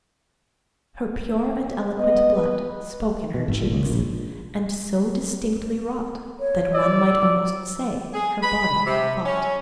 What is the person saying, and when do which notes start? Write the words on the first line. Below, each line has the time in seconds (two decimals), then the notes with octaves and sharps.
"Her pure and eloquent blood Spoke in her cheeks, and so distinctly wrought, That one might almost say her body thought."
1.97 B3 D#5
2.34 B4
3.34 B2
3.48 G#1
3.62 A#2
3.73 C#2
3.90 A#1
6.40 C#5
6.74 D5 E6
8.14 G#4
8.42 B5
8.86 C3
9.26 C#4